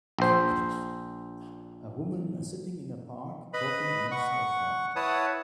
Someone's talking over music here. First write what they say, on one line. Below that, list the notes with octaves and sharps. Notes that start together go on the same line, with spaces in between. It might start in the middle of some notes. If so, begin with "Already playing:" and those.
A woman sitting in a park, talking on a cellphone.
A#1 C5
B4 D#5 B5
F#5 C#6
E4 B4 C#5 F#5 A5 D#6